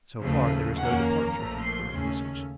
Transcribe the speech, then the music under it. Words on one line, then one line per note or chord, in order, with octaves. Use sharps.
So far, there is no departure from current usage.
D#2 C#3 F3 A3
F2 D#3 A#3 C#4 F#5
A#5
A#1 A#2 F3 A3
C6
D#2 C#3 A3 C#4